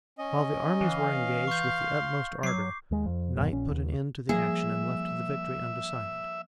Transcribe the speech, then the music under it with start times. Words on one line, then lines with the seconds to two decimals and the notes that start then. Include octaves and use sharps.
While the armies were engaged with the utmost ardor, night put an end to the action and left the victory undecided.
0.18 C#4 D#5
0.81 E3 F5
1.47 C6 C#6 G6
2.43 F#3 D6 C7
2.91 D#2 G#3
3.06 F2
3.36 D#1 F#2 B2
3.52 A#1 C#4
3.71 D#2
4.29 F3 G3 A#3 G#4 E5